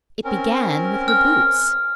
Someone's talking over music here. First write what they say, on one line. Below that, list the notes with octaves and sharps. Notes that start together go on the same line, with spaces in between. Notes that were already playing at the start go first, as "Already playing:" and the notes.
It began with her boots.
C4 C#4 A#4
F6